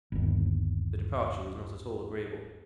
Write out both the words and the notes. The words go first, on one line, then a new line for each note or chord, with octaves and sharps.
The departure was not at all agreeable.
G1 D#2